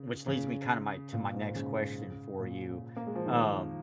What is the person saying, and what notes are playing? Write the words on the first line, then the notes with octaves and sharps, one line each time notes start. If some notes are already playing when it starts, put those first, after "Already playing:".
which leads me kinda my to my next question for you, um
Already playing: C#3
C#3
A#2
G#2
C#3
A#2
A#3
G#3
F3
D#3